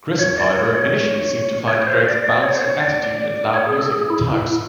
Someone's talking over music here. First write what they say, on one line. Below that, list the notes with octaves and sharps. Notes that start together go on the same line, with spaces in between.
Grissom, however, initially seemed to find Greg's bouncy attitude and loud music tiresome.
C#5
D5
C#5
C#5
C#5
C5
D5
D5
C#5
C5
C#5
D5
C#5
G#4
A4
G#4
E4